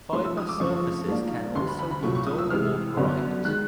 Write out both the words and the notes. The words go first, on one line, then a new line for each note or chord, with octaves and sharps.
Fiber surfaces can also be dull or bright.
G#2 F3 A3 C#4 C6
E6
D#6
D6
F2 C#3 F3 A3 C#6
G#2 F3 A#3 D4
D2 D3 G3 C6
B5
B5
B5
C2 A#2 F#3 A3 C#6
C#6
D#6
E6
C3 E3 G#3 C4 F6
F#2 D3 G3 B3 D4
D#3 G#3 F#6